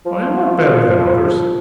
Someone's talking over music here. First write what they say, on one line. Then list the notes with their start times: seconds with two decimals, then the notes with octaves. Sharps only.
I am not better than others.
0.06 F3